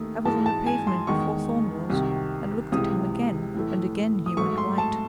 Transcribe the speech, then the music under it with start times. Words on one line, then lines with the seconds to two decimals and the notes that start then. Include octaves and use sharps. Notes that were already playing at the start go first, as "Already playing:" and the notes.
I was on the pavement before Thorn was, and looked at him again, and again he went white.
Already playing: D#2 D#3 A3 D#6
0.25 G#2 E3 G#3 A5
0.46 A5
0.67 G#5
0.87 C6
1.07 E2 D#3 G#3 C#6
1.90 C2 C3 D#3
2.72 C#2 C3 E3 G#3 D#6
3.54 A2 E3 A3
4.26 D#6
4.37 G#2 F#3 A3 C#6
4.58 C6
4.78 A5